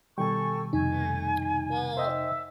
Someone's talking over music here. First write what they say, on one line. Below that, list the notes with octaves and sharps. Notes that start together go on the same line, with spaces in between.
Mm, well,
B2 D#3 G3 A4 G5 G#5 C#6
F2 C3 D#4 G#5
C5 D#5 E5 G5